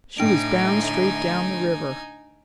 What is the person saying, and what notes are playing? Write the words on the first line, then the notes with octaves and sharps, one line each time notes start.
"She was bound straight down the river."
A2 D3 D4 D#4 G#5 D7